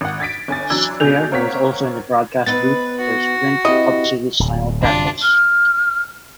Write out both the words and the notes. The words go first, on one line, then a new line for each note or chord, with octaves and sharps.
Squier was also in the broadcast booth for Sprint Cup Series final practice.
G#1 F#5
G#6 A6 B6 D7
G1 G#5 A6
E3 F#3 D4 E6 G#6
B2 A3 D4 G#4 G6 F7
A#3 C4 A#4 C#5 F#5 B6
B3 C4 D#4 B4 A6
F#4
C4 E4 G4 D#5
D1
G1 F#2 C3 D4 F4
F6